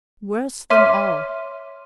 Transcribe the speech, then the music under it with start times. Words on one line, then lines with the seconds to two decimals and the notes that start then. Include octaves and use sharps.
Worse than all!
0.70 C#5 E5 C6 D6 F6 D#7